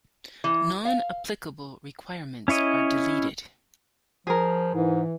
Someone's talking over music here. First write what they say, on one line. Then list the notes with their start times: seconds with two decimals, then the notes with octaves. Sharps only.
Non-applicable requirements are deleted.
0.44 E3
0.85 F5
2.48 C#4 E4 C#5 D#5
4.27 F3 G#4 A#4
4.74 G#2 E3